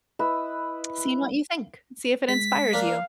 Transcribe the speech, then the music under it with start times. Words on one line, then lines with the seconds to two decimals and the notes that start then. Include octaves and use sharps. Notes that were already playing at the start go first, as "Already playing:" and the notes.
seeing what you think. See if it inspires you.
0.19 E4 B4 D#5 E6
2.29 G#3 B6
2.73 A#3 D4 F5